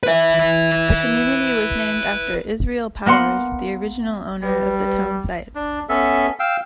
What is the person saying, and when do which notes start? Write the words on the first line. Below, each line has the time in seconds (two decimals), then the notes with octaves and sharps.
The community was named after Israel Powers, the original owner of the town site.
0.03 B4 E5
3.06 A#3 B3 F#5 C6
4.43 G3 B4
5.55 D4
5.89 B3 C#4 A4 E5
6.40 F5 G5 E6